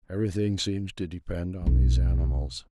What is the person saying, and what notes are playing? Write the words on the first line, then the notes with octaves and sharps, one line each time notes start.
Everything seems to depend on these animals.
B1 A3